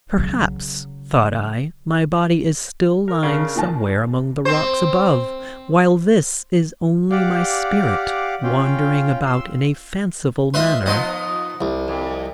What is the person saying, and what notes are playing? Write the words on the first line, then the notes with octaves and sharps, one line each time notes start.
Perhaps, thought I, my body is still lying somewhere among the rocks above while this is only my spirit wandering about in a fanciful manner.
C#3 F#3
A#4
C#3 D4 A#4
A#2 D#3 A5
C4 C5
G4 D5 F5 F#5 D6
C#4 F4 F5 G5
C6 E6
F4 B4 D#5 E5 C6
F3 B3 D#4 D#5 C6
C2
F2